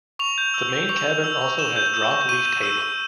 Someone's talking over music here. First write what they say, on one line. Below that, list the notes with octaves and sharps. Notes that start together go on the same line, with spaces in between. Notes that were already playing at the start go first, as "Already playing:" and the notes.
The main cabin also has drop leaf table.
C#6 F7
G6
E6
C#6
C#6 F7
G6
E6
C#6
C#6 E7
G6
E6
C#6
C#6 D#7
G6
E6
C#6